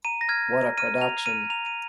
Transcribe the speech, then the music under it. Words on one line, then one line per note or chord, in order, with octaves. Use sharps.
What a production!
A#5 D#7
A#6
F6 G#6
A#5
F6 D#7
A#5 F7
F6 D#7
A#5 F7
D#7